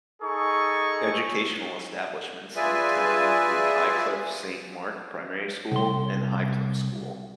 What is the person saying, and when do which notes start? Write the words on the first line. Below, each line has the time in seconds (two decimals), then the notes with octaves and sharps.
Educational establishments in the town include Highcliffe Saint Mark Primary School and Highcliffe School.
0.23 D#4 G#4 A4 C#6
2.56 F4 G#4 B4 D5 E5 G#5
5.72 C2 C6